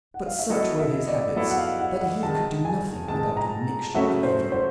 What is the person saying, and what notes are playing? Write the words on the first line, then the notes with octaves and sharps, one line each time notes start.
But such were his habits that he could do nothing without a mixture of evil.
F#5
F5
E5
F#3 B3 E4 A4 D#5
E5
D#5
D5
F#3 B3 E4 A4 E5
F#5
F5
F#5
F#5
C3 D#3 G#3 A5
G#5
C3 D#3 G#3 A5
A#5
C#3 F#3 A3 C#4 F#4 E5
C5
C5